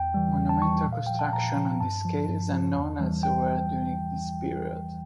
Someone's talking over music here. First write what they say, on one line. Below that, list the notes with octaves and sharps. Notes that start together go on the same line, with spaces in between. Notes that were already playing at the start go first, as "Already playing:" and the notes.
Monumental construction on this scale is unknown elsewhere during this period.
Already playing: E2 G5
E3 G3
E2
A5
E3 G3 C#6
A#2
F5
F3 G5
A5
A#2 A#5
F3
G2 A5
F3
G2
F3
E2
E3 G3
G5